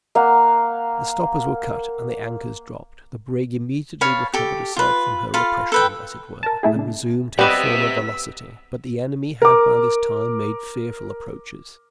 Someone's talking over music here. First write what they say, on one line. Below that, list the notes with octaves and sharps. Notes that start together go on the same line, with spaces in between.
The stoppers were cut, and the anchors dropped; the brig immediately recovered herself from her oppression, as it were, and resumed her former velocity; but the enemy had by this time made fearful approaches.
A#3 F5 F#5
C#5 F5 A5 B5
G4 A4
F4 B4
F4 A4 F5 B5
A4 B4 G5
A#4 A5
A2 A3 E4 G#4
C#2 D4
C3 G3 B3 B4 D#5 E6 B6
A#4 D6